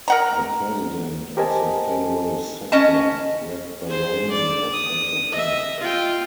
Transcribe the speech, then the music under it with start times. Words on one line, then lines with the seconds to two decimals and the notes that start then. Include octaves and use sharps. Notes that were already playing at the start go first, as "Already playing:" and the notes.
The president of the federal sector, Greg Baroni, was also fired.
0.08 A#4 F#5 A#5
1.37 G4 A#4 C5 D#5 G#5 A5
2.72 C#4 D#5 A5
3.86 G#4 C5
4.32 D5
4.73 D#6
5.32 D#5 E5
5.80 F4 G5